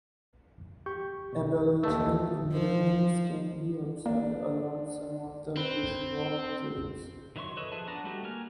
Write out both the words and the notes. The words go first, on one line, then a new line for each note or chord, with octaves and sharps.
Aboriginal engravings can be observed along some of the bushwalk trails.
G4 C#6 G6
B2
D#2 A3 D#5 A5 E6
F3
A#3 D4
C4 B4
D#3 F#3 E5 C6 C#6
A4 B4 C#5 D#5 E5
F3 G#4 B4 E5 A5
B3 D4 F#5 A5 A#5
G3 A3 F#4 G4
A#3 A#4 G#5 F6